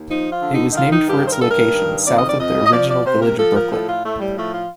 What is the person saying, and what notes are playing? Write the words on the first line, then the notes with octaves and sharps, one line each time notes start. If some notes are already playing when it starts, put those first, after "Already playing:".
It was named for its location, south of the original Village of Brooklyn.
Already playing: D#2
F3 D#4
F4
D3
D#4
D#4
D#3 F4
D#4
G2 G4
C5
A#4
G2 A4
A#4
D#3
F2 D5
D#5
D5
F2 D#5
D#5
F3 D5
D5
C3 C5
A#4
F3 A4
A#4
A2 A4
F4
A2 A3
G3
F3 A3
F4